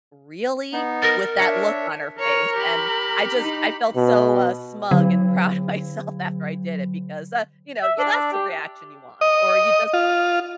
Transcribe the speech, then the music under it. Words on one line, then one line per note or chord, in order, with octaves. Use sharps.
"Really?" With that look on her face. And I just I felt so, uh, smug and proud of myself after I did it because, uh, you know, you that's the reaction you want or you just
B3 D#4
A#4 A6 A#6
D4 C#5 E5 C#7
A#4 C#5
G4 B5
D#4
B2
D3 F#3
E5
D4
D4
G4
D#5
F4